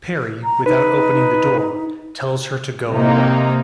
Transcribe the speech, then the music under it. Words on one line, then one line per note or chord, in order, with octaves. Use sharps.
Parry, without opening the door, tells her to go away.
A#5
D#4 B4
C3 A#3 D#4